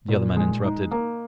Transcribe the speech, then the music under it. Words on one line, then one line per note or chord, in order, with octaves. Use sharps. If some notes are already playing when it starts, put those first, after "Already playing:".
The other man interrupted.
A#2
G#3
D#4
A#3